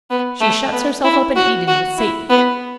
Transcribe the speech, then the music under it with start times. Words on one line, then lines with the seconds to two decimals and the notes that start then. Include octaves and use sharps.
She shuts herself up in Eden with Satan.
0.10 B3
0.41 A3
0.72 B3
1.04 E4
1.36 F#4
1.68 F#4
1.98 E4
2.29 B3